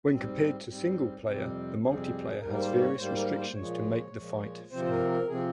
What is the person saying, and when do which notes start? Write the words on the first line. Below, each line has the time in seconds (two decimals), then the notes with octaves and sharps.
When compared to single-player, the multiplayer has various restrictions to make the fight fair.
0.11 G#2 G3 C4
0.68 G#2 G3 C4
1.26 F2 C3 G3 C4
1.84 F2 C3 G3 C4 G#4
2.41 G#2 G3 A#3 A#4
2.53 A#4
2.60 C5
2.80 C#5
2.98 G#2 G3 A#3 C5
3.17 A#4
3.36 C5
3.55 A#2 F3 G#3 C#5
4.14 A#2 F3 G#3
4.71 C3 F3 C4 C5
4.85 C5
4.90 A#4
5.10 A#4
5.28 C3 F3 C4 G#4